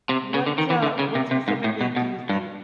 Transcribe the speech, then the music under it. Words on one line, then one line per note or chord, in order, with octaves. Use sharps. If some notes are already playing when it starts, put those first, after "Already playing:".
What, uh, what specifically do you think,
C3
C#3
D3
D#3
E3
D3
C#3
C3
C3
G#2
A2
B2
B2
G2